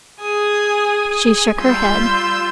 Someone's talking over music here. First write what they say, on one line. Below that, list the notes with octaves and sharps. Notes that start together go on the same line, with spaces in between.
She shook her head.
G#4 G#5 D#6
G3 F4 C6 E6 G6